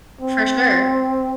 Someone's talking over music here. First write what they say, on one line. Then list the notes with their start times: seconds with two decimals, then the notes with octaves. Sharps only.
For sure.
0.21 C4